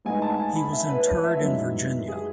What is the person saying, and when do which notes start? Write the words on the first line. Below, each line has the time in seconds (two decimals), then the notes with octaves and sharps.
He was interred in Virginia.
0.05 A2 G#3 B3 D#4 G#5
0.22 A5
0.40 G#5
0.55 B5
0.73 E5
0.89 B4
1.07 C#5
1.24 E5
1.41 F#2 E3 G#3 D#4
2.08 G#4